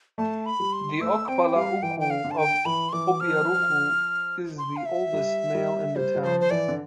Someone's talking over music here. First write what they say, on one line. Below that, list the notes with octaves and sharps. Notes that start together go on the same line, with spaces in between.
The "Okpala-Ukwu" of Obiaruku is the oldest male in the town.
A3 A5
B5
G3
C6
A3 E6
C4 G5
G3 F5
E3 G5
G5
F5
D3
A5
G5
E3 B5
C6
E3 D6
F3 F6
C6
F5
E5
G3
G3
G3 C5
G3
F3 C5
C5
E3 D5
D3